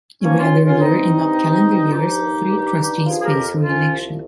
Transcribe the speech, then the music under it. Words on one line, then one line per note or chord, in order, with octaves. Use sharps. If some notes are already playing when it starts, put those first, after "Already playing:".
Every other year, in odd calendar years, three trustees face re-election.
F3 A#3 C#4
C#4 F4
C#2
C#4 F4
G2 C4 D#4
G2
G2
G2
F4
F3 D#4 G4
D#2
G2
G2
F3 F4 G#4
G#4
G4 A#4
F2
F3 C#4 F4
C2